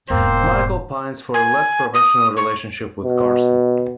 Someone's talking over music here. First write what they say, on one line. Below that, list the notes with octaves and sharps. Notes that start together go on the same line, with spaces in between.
Michael pines for a less-professional relationship with Carson.
E1 G#2 A#3 C4 C5
G#5
D#6
C#6
B2